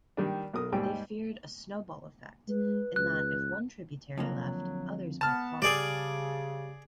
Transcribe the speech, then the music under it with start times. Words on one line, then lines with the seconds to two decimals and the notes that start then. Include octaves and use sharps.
They feared a "snowball effect," in that if one tributary left, others might follow.
0.17 D#3 G3 D4
0.53 B1 A#4 D#6
0.72 D#2 G#2 G3 G5
2.48 G#3 B4
2.96 C#2 F#6
4.18 F2 D3 F#3 A#3
5.21 B3 A5 F6
5.62 C#3 G3 G#4 D5